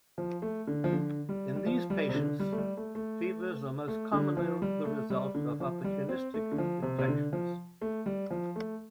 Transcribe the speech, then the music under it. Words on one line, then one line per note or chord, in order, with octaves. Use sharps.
In these patients fevers are most commonly the result of opportunistic infections.
F3
A3
D3
F3
D3
G3
G3
F3
G3
C3
D3
G3
A3
G3
A3
A3
A3
D3
F3
G3
A3
G3
D3
F3
G3
C4
A3
D3
F3
C3
C3
D3
F3
A3
G3
F3
A3